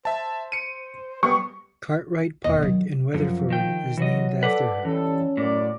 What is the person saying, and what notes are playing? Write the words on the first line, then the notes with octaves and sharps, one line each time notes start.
Cartwright Park in Weatherford is named after her.
C5 E5 A5
C#7 D#7
G3 B3 C#6
E1 D#2 D#5
D#3 F#3
F#2 F3
D#3 G5
E3 F#3 F#4 D#5
A4 B4 D5 F#5
E3 G3 C#4 A4
F#2 A2 D5